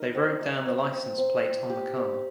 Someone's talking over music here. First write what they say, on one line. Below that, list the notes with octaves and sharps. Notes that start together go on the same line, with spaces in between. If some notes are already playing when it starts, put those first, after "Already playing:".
They wrote down the license plate on the car.
Already playing: D#4 A#4 D#5
C4
D#5
C4
C4
C4
D5
G4
C4